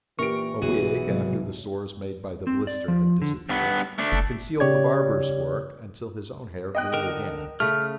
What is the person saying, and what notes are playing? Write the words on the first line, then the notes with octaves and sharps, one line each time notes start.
A wig, after the sores made by the blister had disappeared, concealed the barber's work until his own hair grew again.
A#2 E3 G4 A#4 C#6 D7
B1 E3 F#4 G#4 G#5
G#2 C3 F#3
C4
D5
F3
D3
G2 B3
A3 D4
F#1
C#3 G4 C#5 D5 G#6
D#5 G5 F#6
D3 A#4
C#3 A3 F6